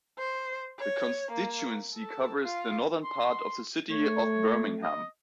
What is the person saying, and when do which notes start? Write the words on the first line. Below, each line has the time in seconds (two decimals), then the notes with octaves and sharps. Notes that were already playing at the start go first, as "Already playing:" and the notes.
The constituency covers the northern part of the City of Birmingham.
0.18 C5
0.79 C#5
1.31 A#3
1.94 A4
2.43 F4
3.04 C6
3.91 A3 C#5
4.83 D#5